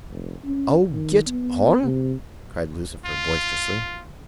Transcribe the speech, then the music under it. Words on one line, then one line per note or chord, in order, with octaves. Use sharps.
"Oh! get on," cried Lucifer, boisterously.
F1
C#4
D#3
B3
C3
F4